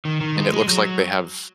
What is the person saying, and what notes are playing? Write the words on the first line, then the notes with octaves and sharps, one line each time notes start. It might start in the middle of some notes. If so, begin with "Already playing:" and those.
and it looks like they have
D#3
D#3
G#3
G#3
F#3